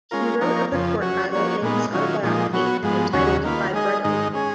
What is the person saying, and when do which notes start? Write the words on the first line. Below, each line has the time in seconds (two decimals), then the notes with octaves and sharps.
He wrote of the court battle in his autobiography, entitled "By Bread Alone".
0.11 G#3 C#4 F4 A#4
0.41 F3 A#3 D#4 A#4 C#5
0.72 F2 C#3 F3
1.02 F#3 C#4 F#4
1.32 F3 A#3 C#4 F#4 C#5
1.62 A#2 G#3 B3 D#4
1.92 D#3 F#3 C#4 F4
2.23 A#2 F3 G#3 D#4
2.53 F#3 B3 F#4 C#5
2.83 G#2 F3 G#3 B3
3.13 D#2 C#3 F#3 C#4 F#4
3.44 D#3 A#3 F4 B4
3.73 G#3 D#4 G#4 D#5
4.04 G#2 D#3 G#3 D#4
4.34 G#3 C#4 G#4